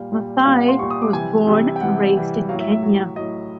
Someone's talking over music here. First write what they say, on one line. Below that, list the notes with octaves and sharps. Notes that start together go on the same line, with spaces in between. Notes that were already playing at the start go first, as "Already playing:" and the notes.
Mathai was born and raised in Kenya.
Already playing: A#2 G3 F5
A#2 G3
A#2 G3 F5
F#5
C6
A#2 G3 C#6
D#6
D6
C3 E3 G3 G#5
C3 E3 G3
G5
C3 E3 G3 F#5
C3 E3 G3
A2 F#3 F5
E5
E5
A2 F#3
A2 F#3 D#5